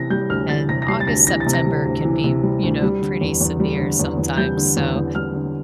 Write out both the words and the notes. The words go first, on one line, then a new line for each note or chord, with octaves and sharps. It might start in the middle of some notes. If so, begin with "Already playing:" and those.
and August, September can be, you know, pretty severe sometimes, so,
Already playing: C3 E3 A#6
G3 G6
D2 F6
E3 A6
C3 A#6
A#6
G3 C7
A6
D2 A#6
E3 A#6
A6
C3
A#6
G3
D2
E3
C3
G3
D2
G3
D3
E2
E2
G3
D3
E2
E2
G3 G6
D3
E2
E2
G3 F6
D3